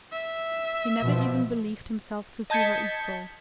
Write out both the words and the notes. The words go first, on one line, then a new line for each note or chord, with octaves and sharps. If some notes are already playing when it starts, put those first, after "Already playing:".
He never even believed himself to see her equal.
E5
B2 F3
D#5 A5 G6 G#6 B6 C#7